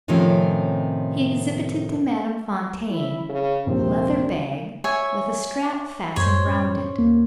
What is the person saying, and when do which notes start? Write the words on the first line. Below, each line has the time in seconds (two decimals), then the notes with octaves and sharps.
He exhibited to Madame Fontaine a leather bag, with a strap fastened round it.
0.08 A2 C3 D#3 F3 C4 C#4
2.90 E4
3.29 C#3
3.66 A#1 D#2 C3 C4
4.84 C#5 E5 G#5
6.16 F#2 A2 C5 C#5
6.46 C#4
6.98 D#2 A#3